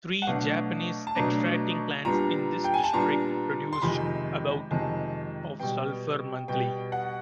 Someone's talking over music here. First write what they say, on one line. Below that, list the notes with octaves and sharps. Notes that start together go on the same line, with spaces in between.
Three Japanese extracting plants in this district produced about of sulfur monthly.
F#5
B2 F#3 A3 D4 F5
A5
B2 F#3 A3 D4 A#5
A#2 G3 B3 D4 A#5
G5
G#5
A5
A#2 G3 B3 D4 A#5
C6
F2 C3 D#3 G#3 B5
F2 C3 D#3 G#3 A5
B2 G3 B3 G5
B2 G3 B3 G5
F#5